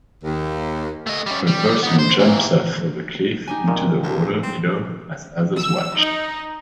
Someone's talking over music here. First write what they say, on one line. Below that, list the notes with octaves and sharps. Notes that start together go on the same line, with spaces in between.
A person jumps off of a cliff into the water below as others watch.
D#2
A3 D#5
G3 C#4
G3
B3 D#4
C5
E3 A#3
D#4 G4 G#5
D#2 A#2 D#3
C#2
C4
E6
D#4